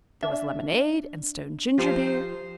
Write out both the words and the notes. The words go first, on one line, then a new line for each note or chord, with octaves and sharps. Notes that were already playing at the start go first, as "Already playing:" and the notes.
There was lemonade and stone ginger-beer. . . .
D4 E5
F3 D#4 F4 G4 C5